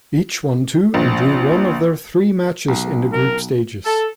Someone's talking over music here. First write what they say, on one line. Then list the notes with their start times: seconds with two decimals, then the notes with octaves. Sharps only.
Each won two and drew one of their three matches in the group stages.
0.94 A#1
2.68 B1
3.12 A#4
3.85 A4